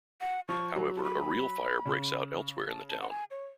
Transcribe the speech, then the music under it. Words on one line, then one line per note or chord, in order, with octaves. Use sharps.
However, a real fire breaks out elsewhere in the town.
F#5
F3 C#6
F#3
A5
B5
C#3
A5
A5
F#5
G#5
C#5